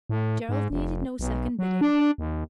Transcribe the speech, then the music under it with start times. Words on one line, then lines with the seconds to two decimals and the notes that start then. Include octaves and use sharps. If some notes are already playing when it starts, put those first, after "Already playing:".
Gerald needed no second bidding.
0.09 A2
0.49 G#2
0.71 F1
1.19 B1
1.59 F#3
1.81 D4
2.18 D#2